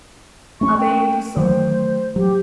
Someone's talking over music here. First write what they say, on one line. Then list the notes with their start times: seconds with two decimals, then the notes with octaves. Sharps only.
"Abbe Busoni."
0.61 A3 C#4 C#6
0.78 G5
1.37 D#3 F#3 A3 C5
2.16 F#3 G4